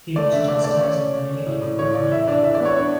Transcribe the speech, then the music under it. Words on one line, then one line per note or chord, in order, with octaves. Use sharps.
He was chastised, but it did not take.
A3 D5
D3 E5
A3 D5
A3 D5
C#4 D5
C#4
C#4
C#4
A2
A2
A2 C#5
E3 D5
A2 E5
E5
D4 D5
E3 E5
D5
B3
C#5
D4 C#5